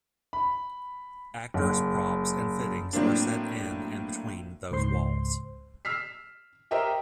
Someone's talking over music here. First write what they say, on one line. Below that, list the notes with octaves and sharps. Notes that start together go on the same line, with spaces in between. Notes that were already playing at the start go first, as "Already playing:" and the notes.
Actors, props and fittings were set in and between those walls.
B5
F#1
A2 F#3 A#3 C4 D4
C#2 G#2 C5 C6
E6 F6 B6 C7
G4 A#4 C5 D#5 E5 G5